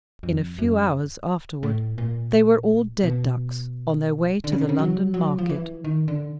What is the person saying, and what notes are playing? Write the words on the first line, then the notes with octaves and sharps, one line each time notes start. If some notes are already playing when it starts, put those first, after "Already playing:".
In a few hours afterward they were all dead ducks on their way to the London market.
F2
F#2
A2
A#2
B2
D3
C#3
C3
C#3
F#3
F#3
F3
E3
D#3
D3